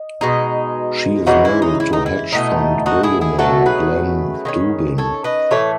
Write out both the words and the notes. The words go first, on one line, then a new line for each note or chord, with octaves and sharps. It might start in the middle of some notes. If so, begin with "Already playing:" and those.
She is married to hedge fund billionaire Glenn Dubin.
Already playing: D#5
B2 G#3 D#4
E3 G#3 C#4 D#4 F#4
E4
D#4
E4
D#4
E4
B2 A3 D#4
D#4 F#4
E4 G#4
E4 G#4
B2 F#3 A3 C#4 F#4 A4
G#4 B4
D#3 G#3 C#4
A4 C#5
B4 D#5
A2 E3 A3 A4 C#5